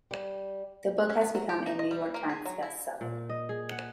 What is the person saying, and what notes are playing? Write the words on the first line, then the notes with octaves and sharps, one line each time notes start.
The book has become a "New York Times" bestseller.
G3
C#4
B3
F#3
G4
D#4
D#5
G3
A#3
G#4
F#3
E4
A#2
D#5
G#4
F#5